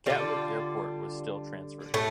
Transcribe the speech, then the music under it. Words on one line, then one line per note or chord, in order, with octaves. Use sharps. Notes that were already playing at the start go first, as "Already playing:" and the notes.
Gatwick Airport was still transferred.
D3 G3 F4
A2 A3